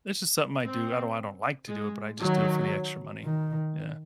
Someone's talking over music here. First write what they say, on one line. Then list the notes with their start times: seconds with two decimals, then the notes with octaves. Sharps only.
it's just something I do, I don't I don't like to do it, but I just do it for the extra money, yeah.
0.65 C4
1.68 G#3
2.19 D#3 F#3
3.24 D#3